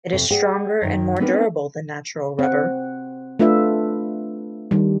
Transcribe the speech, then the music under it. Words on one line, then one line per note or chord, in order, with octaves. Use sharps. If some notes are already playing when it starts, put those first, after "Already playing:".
It is stronger and more durable than natural rubber.
F2 C3
G#4 D5 F#5 G5
F#2 D#3
B3 C4 D4 D#4 A#4 B4
C4 F#5
A3 D4 F4 B4 E5
D#3 G3